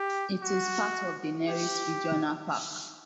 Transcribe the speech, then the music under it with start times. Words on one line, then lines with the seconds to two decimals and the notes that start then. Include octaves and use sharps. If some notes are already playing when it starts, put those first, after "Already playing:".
It is part of the Neris Regional Park.
Already playing: G4
0.42 F#4
1.48 G4